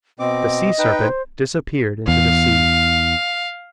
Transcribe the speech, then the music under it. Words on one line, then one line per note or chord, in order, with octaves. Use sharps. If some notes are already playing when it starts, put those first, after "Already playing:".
The sea serpent disappeared into the sea.
B2 C4 D#5 D6
D#4 B4 G5
C5
E2 F5